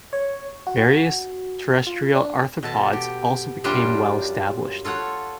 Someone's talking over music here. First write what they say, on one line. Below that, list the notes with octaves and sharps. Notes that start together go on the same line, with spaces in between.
Various terrestrial arthropods also became well-established.
C#5
F#4
F4
D4
B2 A4 A5
G4
F#2 G3 D4 F4 G4 C6
F4 A4 C#5 F#5